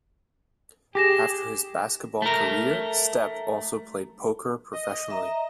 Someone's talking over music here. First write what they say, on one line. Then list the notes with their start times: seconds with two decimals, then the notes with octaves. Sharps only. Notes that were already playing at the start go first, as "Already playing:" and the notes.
After his basketball career, Stepp also played poker professionally.
0.95 G4 G#4 D6 A#6 E7
2.22 A3 A#4
4.72 D#5
5.10 E5 A#5